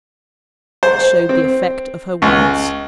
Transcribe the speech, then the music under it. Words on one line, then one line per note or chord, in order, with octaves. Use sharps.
It showed the effect of her words.
C5
C4
C#2